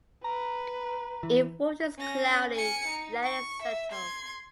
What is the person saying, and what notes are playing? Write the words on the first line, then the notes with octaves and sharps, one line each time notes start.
If water is cloudy, let it settle.
B4 A#5
E3
C#4 A#6
G#5 C#7
D#4
C#6
E5
C6 G#6